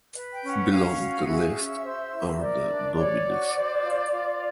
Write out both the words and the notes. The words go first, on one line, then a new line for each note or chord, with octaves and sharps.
Below the list are the nominees.
B4
G5
C#4
F#5
C#4 F5
F#4
G#4 E5
C#4
C5
E4
A#4 D5
D4
C#5 D5
F#4
C5
F4
F4